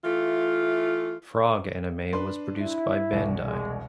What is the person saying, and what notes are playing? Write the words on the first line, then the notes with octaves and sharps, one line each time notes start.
Frog anime was produced by Bandai.
E3 A3 F4
D4 B4 C6
E4
E1 C2
G#3